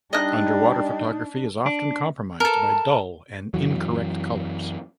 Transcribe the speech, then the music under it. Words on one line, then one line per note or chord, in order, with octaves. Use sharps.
Underwater photography is often compromised by dull and incorrect colours.
G3 D4 D#4 D#5 F#6
D4
A4 A#4 A5
F#2 E3 F#3